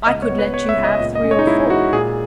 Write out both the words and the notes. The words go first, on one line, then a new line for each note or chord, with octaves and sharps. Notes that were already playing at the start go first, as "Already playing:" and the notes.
I could let you have three or four.
E5
C#2 D#5
C#5
B3
B4
B3 C#5
E5
C#2
D#5
A#2 D#5
D#5
C#4
C#5
D#4
G#3 E4
G#3 F#4
A#2 G#4